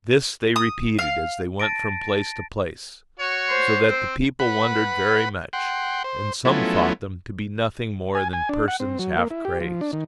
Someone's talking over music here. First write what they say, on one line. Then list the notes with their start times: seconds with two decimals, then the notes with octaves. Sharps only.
This they repeated as they went from place to place, so that the people wondered very much; and some thought them to be nothing more than persons half crazed.
0.56 D#6
0.99 F5
1.60 A5 A6 A#6 D7
3.19 F#4 C#5
3.49 C5
3.86 C4
4.40 B4 F#5 B5
5.53 F#5 G5 C6
6.04 C5
6.45 F3 F#3 A3 B3 C#4 E4
8.15 G#5
8.33 G#5
8.49 D4
8.68 F#5
8.80 C4
8.99 F#3
9.17 A#3
9.31 E4
9.45 G4
9.60 F3
9.81 D4
9.93 D#3